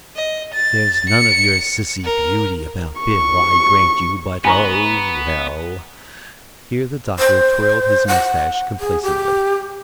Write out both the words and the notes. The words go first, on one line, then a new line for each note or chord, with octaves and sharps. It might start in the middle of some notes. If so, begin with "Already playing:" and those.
"There's none of your sissy beauty about Bill, I grant you, but--oh, well"--here the Doctor twirled his mustache complacently.
D#5
A6
C#7
A#4
C#6
B3 G#5 A#5 C#6
C5
F#5
G#4
G4